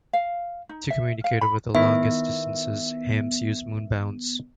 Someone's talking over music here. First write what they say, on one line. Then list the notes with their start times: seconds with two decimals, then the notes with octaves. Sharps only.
To communicate over the longest distances, hams use moon bounce.
0.13 F5
0.69 D#4
0.90 E5
1.24 F5
1.41 B5
1.75 D#3 B3 E4 E5